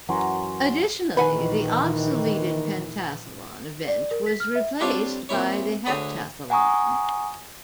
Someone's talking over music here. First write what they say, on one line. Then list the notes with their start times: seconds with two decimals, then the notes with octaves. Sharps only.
Additionally, the obsoleted pentathlon event was replaced by the heptathlon.
0.09 F#2 E3 F#3 A#4 F#5 G#5 C6
1.17 A#1 D#3 E3 B4 F#5 G#5
3.88 D5
4.11 A#4
4.26 B6
4.40 F6
4.55 E5
4.80 G3 C4 D4 F4 A4 C#5
5.29 A#2 C4 E4 C#5
5.86 D2 D3 G#4 C#5 B5 D#6
6.50 F#5 G#5 A#5 C#6 D#6